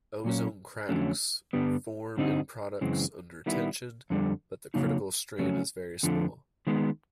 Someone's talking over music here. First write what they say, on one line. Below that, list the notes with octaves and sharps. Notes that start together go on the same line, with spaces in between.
Ozone cracks form in products under tension, but the critical strain is very small.
A#2 F#3 A#3 C#4
F2 D3 F#3 A3 C#4
G2 D3 G3 B3
G2 D3 G3 C4 D#4
F#2 C#3 E3 G#3 C4
D#3 G3 B3 E4
F2 D3 G3
F2 C#3 F#3 A#3 D#4
F2 C#3 F#3 A3 C#4
F2 D3 F3 A3
D#3 G#3 B3